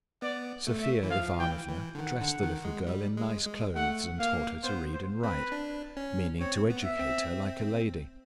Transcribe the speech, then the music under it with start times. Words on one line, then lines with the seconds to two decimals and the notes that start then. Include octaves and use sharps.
Sophia Ivanovna dressed the little girl in nice clothes, and taught her to read and write, meaning to educate her like a lady.
0.22 B3 D5
0.67 A3
0.82 E5
1.03 E3
1.10 F3 F5
1.40 E3 G5
1.69 E3
1.95 D3
1.99 D#3 F#5
2.21 D3
2.43 D#3
2.65 G#3
2.87 G3
3.17 G#3
3.47 G#3
3.75 A3 F#5
4.19 A#3 F5
4.64 B3 C5
4.93 C5
5.22 C4 B4
5.52 D4
5.97 C#4
6.40 C4 C#5
6.70 B3
6.84 E5
6.99 C4